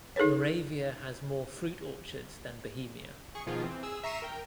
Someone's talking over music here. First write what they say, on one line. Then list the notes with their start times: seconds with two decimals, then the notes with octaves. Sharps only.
Moravia has more fruit orchards than Bohemia.
0.16 D#4 G#4 A4 B4 C#5
3.35 G#4 C#6
3.46 B2 D#3 F3 F4 G#4
3.64 E3 C4
3.83 G#4 E6
4.04 E5 A#5 C#6 C7 D#7 E7
4.22 A#4 G5